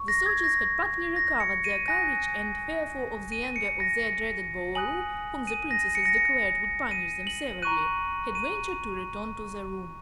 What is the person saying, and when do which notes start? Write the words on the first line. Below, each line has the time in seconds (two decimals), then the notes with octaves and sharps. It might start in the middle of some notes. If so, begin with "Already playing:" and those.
The soldiers had partly recovered their courage and, fearful of the anger of their dreaded Boolooroo, whom the Princesses declared would punish them severely, had ventured to return to the room.
Already playing: C#6
0.08 A#6
0.26 G#6
0.44 A#6
1.16 A#6
1.40 C#7
1.64 D#7
1.88 G#5 D#6 F#6 A#6
3.32 D#7
3.56 C#7
3.80 A#6
4.04 C#7
4.75 G#5 D#6 F#6 F#7
5.47 D#7
5.71 A#6
5.95 C#7
6.05 A#6
6.17 C#7
6.91 D#7
7.27 F#7
7.62 A#5 C#6 F#6 D#7
8.35 D#7